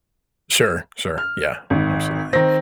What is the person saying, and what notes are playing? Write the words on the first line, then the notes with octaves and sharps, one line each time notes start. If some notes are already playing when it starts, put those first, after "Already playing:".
Sure, sure, yeah, absolutely.
F6
G#1 D#3
D#3 C4 A#6